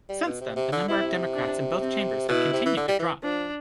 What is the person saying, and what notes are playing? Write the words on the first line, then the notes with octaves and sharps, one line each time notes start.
Since then, the number of Democrats in both chambers have continued to drop.
G3
B2
C3
C3
D3
C3 E4
D4
C4
B2 E4
C3
E3
D3
G3
E3
F3 D4